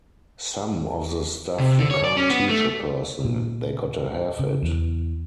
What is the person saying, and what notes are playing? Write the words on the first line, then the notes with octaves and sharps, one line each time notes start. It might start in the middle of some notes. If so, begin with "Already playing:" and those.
Some of the stuff you can't teach a person; they gotta have it.
C3
D3
C#5
D5
C#4
B3
A3
A#2
C#3
E2